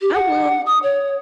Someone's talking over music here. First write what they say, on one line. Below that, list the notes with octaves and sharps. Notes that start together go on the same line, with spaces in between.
I will
G4
F#5
D#6
C#5